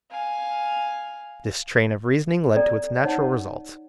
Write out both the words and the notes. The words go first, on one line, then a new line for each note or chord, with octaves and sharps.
This train of reasoning led to its natural results.
F5 G#5
A4 D5 G5 A#5
D#4 C#5 F#5 A5